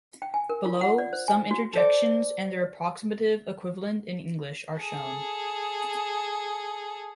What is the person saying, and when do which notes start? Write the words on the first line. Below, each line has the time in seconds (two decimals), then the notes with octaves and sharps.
Below, some interjections and their approximative equivalent in English are shown.
0.22 G5
0.34 G#5
0.49 A#4
0.66 F4
0.81 F#5
0.98 D5
1.13 C5
1.28 G#5
1.51 F#4
1.73 A4 C5 D5
4.80 G#4 A4